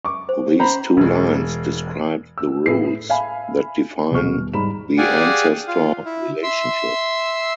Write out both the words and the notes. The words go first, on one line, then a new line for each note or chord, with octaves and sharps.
These two lines describe the "rules" that define the ancestor relationship.
C#6 D6
C5
C#4 C5 A#5 B5
E1 G#3
E6
A2 G#4 B4 C7
E5 F5 G#5 B5
D#1 B2 G#4 C#6 F6
G#2 G3 C5 A#5 B5 E7
G4 G#4 D5 F5 F#5 G#5
F4 F5
E4
E5 C6 E6